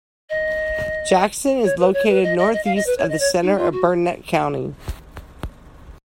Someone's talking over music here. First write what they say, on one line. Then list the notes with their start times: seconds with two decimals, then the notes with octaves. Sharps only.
Jackson is located northeast of the center of Burnett County.
0.29 D#5
1.64 C#5
1.78 B4
1.93 C#5
2.08 B4
2.23 D#5
2.38 D#5
2.53 D#5
2.64 F5
2.75 D#5
2.86 B4
2.97 C#5
3.09 D#5
3.20 C#5
3.42 D#4
3.57 F4
3.72 F#4